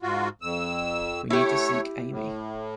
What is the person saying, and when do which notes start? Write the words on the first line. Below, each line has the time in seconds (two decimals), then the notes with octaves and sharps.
We need to seek Amy.
0.02 G#2 F4 F#4
0.42 F2 E6
1.30 A3 E4 G4 C#5
2.10 A2